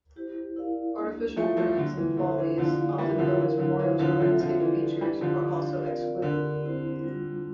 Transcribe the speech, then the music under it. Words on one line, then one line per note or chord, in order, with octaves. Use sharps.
Artificial ruins and follies, often built as memorials or landscape features, are also excluded.
E4 G4 C5
E4 A#4 D5 F5
A#3 D4 G4
F3 A3 E4 A4 E5
F3 A3
D3 G3 A#3 F4
E3
D3 D4 A4 C5 E5
E3
D3 F3 A#3 E4 G4 D5 F5
E3 G3 D4 F4 A#4 E5
D3 F3
E3 E4 A#4 F5
D3
E3 F4 C5 F5
D3 F3
D3 F3 C4 F4 A4 E5
D3 F3
E3 D4 A4 D5
E3 G3 D4 G4 D5
D3 F3
D4 G4 D5 F5
C4 F4 A#4 D5 F5
D3 D4 G4 A#4 D5
C4 E4 G4 C5
G3 D4 F4